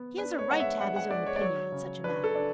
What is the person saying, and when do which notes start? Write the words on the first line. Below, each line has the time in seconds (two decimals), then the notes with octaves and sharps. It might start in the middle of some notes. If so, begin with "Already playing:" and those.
"He has a right to have his own opinion on such a matter."
Already playing: B3
0.18 D4 B4
0.39 C#5
0.50 G#3 F#5
0.60 E5
0.81 D4 F#5
0.96 F#5
1.11 G#3 D5
1.27 C#5
1.36 D5
1.41 F#3 C#5
1.72 C#3
2.04 D4 B4
2.24 A4
2.35 D4